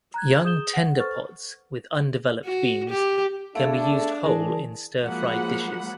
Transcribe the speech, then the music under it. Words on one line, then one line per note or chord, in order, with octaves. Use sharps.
Young tender pods with undeveloped beans can be used whole in stir-fried dishes.
A#5 F#6 G#6
G#4 D#6 G6 E7 G7
F#5
A4 B4 C5 C#6 F6 A6
F#4
G4
A3 B3 D4 G#4 A4 F5
E3 G#4 A#4 D5 A5
F3 F#3 G#3 A#3 F#5 B5